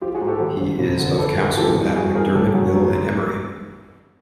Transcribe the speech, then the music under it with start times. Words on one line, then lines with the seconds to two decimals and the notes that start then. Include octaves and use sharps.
He is of Counsel at McDermott Will and Emery.
0.01 F3 F4 G4
0.15 F#4 G#4
0.21 G#2
0.27 G4 A4
0.40 G#1
0.60 G#1
0.79 F1
0.99 D3
1.18 F2 A4 B4
1.37 D3 G#4 A#4
1.57 E3 G4 A4
1.77 G2
1.96 E3 F#4 G#4
2.15 G2 G#4 A#4
2.35 C#3 G4 A4
2.54 F#2 F#4 G#4
2.74 F#2